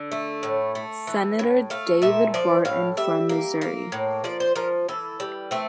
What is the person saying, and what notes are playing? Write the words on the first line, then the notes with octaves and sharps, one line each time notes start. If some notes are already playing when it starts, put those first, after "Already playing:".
Senator David Barton from Missouri.
Already playing: D3
A3
A2
A3
E3
A2
A3 F5
A#2 E5
F3 D5
A2 F5
G3 E5
A#3
A#3
A2
F3 D5
C5
F3 A#4
E3 A4
G3
A3 C4